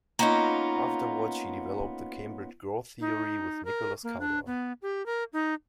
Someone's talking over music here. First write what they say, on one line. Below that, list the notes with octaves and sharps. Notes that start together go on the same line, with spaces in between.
Afterwards she developed the Cambridge growth theory with Nicholas Kaldor.
A#3 B3 C#4 D#4 F4
D#4
A#4
A#3
D4
B3
G4
A#4
D#4